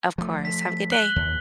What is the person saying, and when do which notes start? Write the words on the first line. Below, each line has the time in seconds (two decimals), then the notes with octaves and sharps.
Of course. Have a good day.
0.18 F3 A3
0.45 B6
0.92 F#6 F#7 G7
1.16 D#2